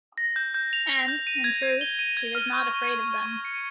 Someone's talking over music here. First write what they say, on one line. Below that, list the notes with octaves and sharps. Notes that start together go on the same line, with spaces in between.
And, in truth, she was not afraid of them.
A#6
G6
G6
F7
A#6
G6
D#7
G#6
G#6
G7
D#7
G#6
F6
C#6
C#6
G#6
F6
C#6
C#7